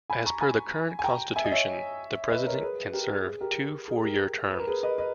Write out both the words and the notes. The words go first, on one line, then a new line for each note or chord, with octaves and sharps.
As per the current Constitution, the President can serve two four-year terms.
G#5 B5
A#5 C#6
G#5 B5
G#5
G5 A#5
E5 G#5
D#5
C#5 E5
B4 D#5
A#4 C#5
G#4 B4
G4 A#4
G#4
G#4
G4 A#4
G#4
G4 A#4
B4
A#4
G#4 B4
B4 D#5
B4 D#5